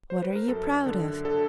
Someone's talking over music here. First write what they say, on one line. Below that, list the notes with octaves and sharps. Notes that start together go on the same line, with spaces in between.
What are you proud of?
C5
B4
A#4
F#2 A4
D3
D3 A4